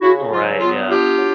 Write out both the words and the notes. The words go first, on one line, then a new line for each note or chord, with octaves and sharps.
Right, yeah.
C#3 E4 F#4
F#3 F4
B3 F4
D4 F4 G4
F#3